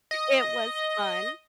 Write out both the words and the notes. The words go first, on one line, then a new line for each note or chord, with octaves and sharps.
it was fun.
D#5